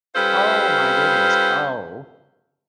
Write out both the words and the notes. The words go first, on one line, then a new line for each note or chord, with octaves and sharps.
Oh my goodness. Oh.
G3 C#4 F4 A4 B4 C5